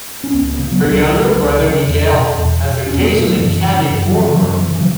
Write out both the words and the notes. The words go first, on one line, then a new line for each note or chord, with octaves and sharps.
Her younger brother Miguel has occasionally caddied for her.
C#4
C#2 B3
B3
C#3
F#3
C#2
F#3
C#3 F#3
C#2
C#3
E2
B2
E2
B2
E2 C#4
B3
B2 A3
F#3
F#2 E3
C#3
F#2
F#3
C#3 E3
F#3
F#2
E3
C#3
E3
F#3